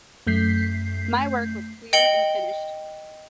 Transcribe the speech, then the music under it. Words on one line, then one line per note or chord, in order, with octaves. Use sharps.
My work was clear and finished.
F#2 A3 G6 B6 C7
D#5 G5 C#7 F#7 G7